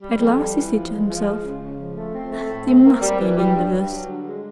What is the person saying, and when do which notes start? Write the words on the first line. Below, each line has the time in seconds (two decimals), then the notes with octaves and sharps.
At last he said to himself: "There must be an end of this."
0.01 G3
0.19 F2
0.37 G3
0.54 E3
0.72 F3
0.90 G#3
1.07 F3
1.25 G#3
1.42 C#3
1.60 C#3
1.78 F3
1.95 A3
2.13 C4
2.31 A3
2.49 A2
2.66 C4
2.84 A#3
3.01 G3
3.19 E3
3.37 G3
3.54 G2
3.72 G2
3.90 F#3
4.08 D3
4.25 G#3